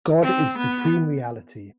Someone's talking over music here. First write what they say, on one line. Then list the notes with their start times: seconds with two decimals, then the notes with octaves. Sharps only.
God is supreme reality.
0.23 C4
0.58 B3